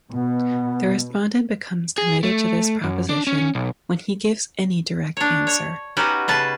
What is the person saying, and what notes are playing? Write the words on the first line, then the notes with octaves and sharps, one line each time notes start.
The respondent becomes committed to this proposition when he gives any direct answer.
B2 B3
G#4
A3
F#2
D4
C#4
B1
D4 C#5
C#5
B3 C#4 D#4 F#4 G4
C#3 B4 A5